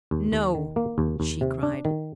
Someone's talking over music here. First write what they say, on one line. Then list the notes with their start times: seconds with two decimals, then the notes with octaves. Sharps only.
"No!" she cried.
0.11 D#2
0.32 D#2
0.55 D#3
0.76 A#3
0.98 D#2
1.20 D#2
1.41 C3
1.63 D4
1.85 D#3